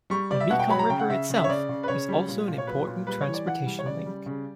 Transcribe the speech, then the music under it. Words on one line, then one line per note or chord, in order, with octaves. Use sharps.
The Mekong River itself is also an important transportation link.
G3 C#6
G3 D5
E5
B2 F#5
G5
F#3 B5
A#5
C#3 G5
F#5
C#3 E5
C#3
E5
C#5
C#3 D5
C#3
B4
C#3 C#5
G3
A#2
A#2
C#5
F#3 B4
A#2
G3 B4
C#5
E3
D5
E3 F#5
G3
C#5
C#3 D5
G3
C#3